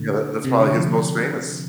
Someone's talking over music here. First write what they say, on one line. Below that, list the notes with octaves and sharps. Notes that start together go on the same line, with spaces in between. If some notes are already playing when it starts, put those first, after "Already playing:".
yeah, that that's probably his most famous.
Already playing: A#2 D3
C3
D3
F3